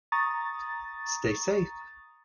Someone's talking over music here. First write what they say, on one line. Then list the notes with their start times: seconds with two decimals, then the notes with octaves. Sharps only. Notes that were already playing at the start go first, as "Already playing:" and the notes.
Stay safe.
0.12 A#5 C#6 D#6 A6